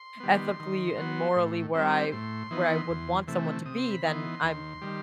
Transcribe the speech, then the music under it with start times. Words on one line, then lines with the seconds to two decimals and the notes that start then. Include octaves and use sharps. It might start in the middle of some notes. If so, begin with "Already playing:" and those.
ethically and morally where I, where I would want someone to be, then I'm
Already playing: C6
0.20 D#3 G3 B3
0.60 D#3
0.98 F#3 B3
1.36 A2
1.75 G3 C4
2.12 A2 C6
2.51 E3 B3 D#4
2.89 E2
3.28 C3 E3 A3
3.65 C3 D#6
3.78 C6
3.90 B5
4.02 E3 B3 D#4 C6
4.43 D#2
4.81 D#3 G3